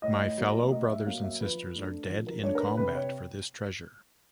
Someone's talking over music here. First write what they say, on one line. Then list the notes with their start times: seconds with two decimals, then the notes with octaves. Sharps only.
My fellow brothers and sisters are dead in combat for this treasure.
0.02 A2 D#5
0.38 F#3 A#3
0.72 A2 D#5
0.89 E5
1.06 F#3 A#3 F5
1.23 E5
1.40 F3 B4
1.75 A3 D4
2.10 F3
2.27 A#4
2.43 A3 D4 C#5
2.55 A#4
2.61 B4
2.77 C3 B4
2.95 C#5